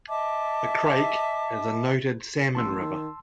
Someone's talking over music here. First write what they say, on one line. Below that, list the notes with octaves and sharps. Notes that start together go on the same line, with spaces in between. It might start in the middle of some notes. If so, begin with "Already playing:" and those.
The Crake is a noted salmon river.
D#5 E5 A5 D6
A1 A5 C6 E6
D#3